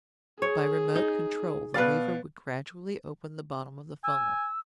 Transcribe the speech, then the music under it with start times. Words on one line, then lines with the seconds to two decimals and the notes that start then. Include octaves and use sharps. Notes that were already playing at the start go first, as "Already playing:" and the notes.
By remote control, the lever would gradually open the bottom of the funnel.
0.42 G#4 C#5
0.95 D#4
1.74 B2 B4 D5 F5 A6
4.04 G#5 E6